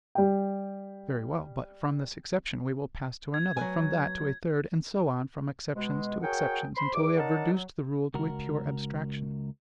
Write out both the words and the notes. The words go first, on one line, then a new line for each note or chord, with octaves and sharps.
Very well; but from this exception we will pass to another, from that to a third, and so on from exceptions to exceptions, until we have reduced the rule to a pure abstraction.
G3 G5
G#6
F#3 B4 G#5
B2 G#3
F#4 G#4 A#4 C#5 F#5 G5
C5 B5 C6
E2 D6
C#4 D#4 A#4 D5 F#5 A5
F#3
C#2 F#4 A#4